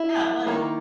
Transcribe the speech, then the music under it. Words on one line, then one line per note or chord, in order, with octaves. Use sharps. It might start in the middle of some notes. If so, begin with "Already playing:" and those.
Yeah, it was.
Already playing: E4
D#3 G3 A#3